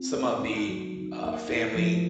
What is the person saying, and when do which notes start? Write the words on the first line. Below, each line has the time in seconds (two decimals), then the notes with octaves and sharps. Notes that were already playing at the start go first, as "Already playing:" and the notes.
some of the, uh, family
Already playing: C4 F4
0.13 A3
0.41 D#3
0.66 F#3
0.94 D#3
1.21 A#3
1.48 E4
1.74 F3